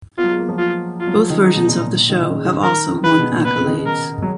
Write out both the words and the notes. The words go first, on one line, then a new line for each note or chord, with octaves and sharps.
Both versions of the show have also won accolades.
B3 F4
F#3
G#3
A#3
F3
F4
F4
F#3
F3
D#3
C#3 D#4
B2
A#2
A#2
D#3
D#3
C#3
D#3
A#4
C#3 B4
B2
A#2
B2 B4
C#3
D#3
D#3
A#4
F#3